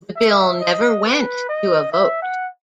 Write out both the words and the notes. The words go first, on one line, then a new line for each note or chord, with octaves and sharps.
The bill never went to a vote.
E5
D#5
B4
D#5
E5
F#5